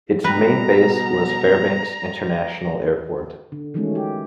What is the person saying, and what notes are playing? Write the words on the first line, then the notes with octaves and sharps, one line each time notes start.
Its main base was Fairbanks International Airport.
B2 G3 B4 G5 A#5
D3
D#3 E3 F#3 G#3 A3 C#4
G4